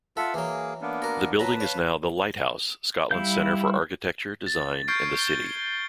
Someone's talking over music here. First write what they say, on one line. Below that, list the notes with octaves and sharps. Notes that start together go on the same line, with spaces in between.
The building is now the Lighthouse, Scotland's Centre for Architecture, Design and the City.
F4 A4 E5 F#5
E3 F#3 A#3 G#4
A#3 B3 D4
F#4 A#4
F#3 B4 A5 A#5
C#5 F5
G3 E4 F5 G6
A6
C#6 F6 G6 G#6 C7 D7
G7